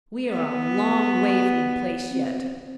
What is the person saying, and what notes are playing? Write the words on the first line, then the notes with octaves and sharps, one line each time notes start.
"We are a long way from the place yet."
B3
C4